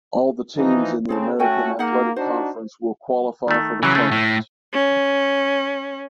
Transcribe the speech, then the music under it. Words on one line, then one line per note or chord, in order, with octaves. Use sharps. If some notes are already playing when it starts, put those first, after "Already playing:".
All the teams in the American Athletic Conference will qualify for the tournament.
E3 F3 D#4
C#3 C4 G#4 A4 A5
A3 C#4 F#4 A4 G5 G#5
A#3 D#4 G#4 F#5
D4 D#4 F#4 C5
D#3 A3
C#3 E3 F#3
A3
A2
C#4